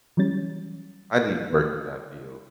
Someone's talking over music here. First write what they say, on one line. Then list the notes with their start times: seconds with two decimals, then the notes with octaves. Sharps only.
I need work in that field.
0.17 E3 F#3 G3 C#4 A6